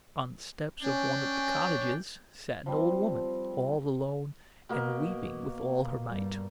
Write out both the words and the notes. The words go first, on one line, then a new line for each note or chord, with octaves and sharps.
On the steps of one of the cottages sat an old woman, all alone and weeping with all her might.
C#4 D4 G5
F3 G3 C4
B2 A#3
G2 G3